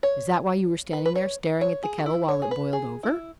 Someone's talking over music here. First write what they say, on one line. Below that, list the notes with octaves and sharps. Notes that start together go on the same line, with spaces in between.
"Is that why you were standing there staring at the kettle while it boiled over?"
C#5
B4
B4
C#5
C#5
G#4
F#4
E4
C#5
G#4
B4
G#4
E4